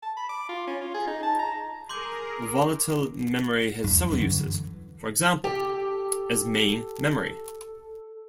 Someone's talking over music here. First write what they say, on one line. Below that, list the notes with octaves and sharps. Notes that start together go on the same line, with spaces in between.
Volatile memory has several uses - for example, as main memory.
A5
B5
D6
F4
C#4
F4
G#4
D#4
A5
A#5
G#4 A#4 C6 D6 G6
E2 G2
F#2 D3 E3
G4 A4